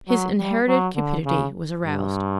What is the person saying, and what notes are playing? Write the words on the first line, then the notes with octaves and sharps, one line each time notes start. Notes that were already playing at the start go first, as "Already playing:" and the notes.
His inherited cupidity was aroused.
F#3
G3
F#3
D3
C#3
G2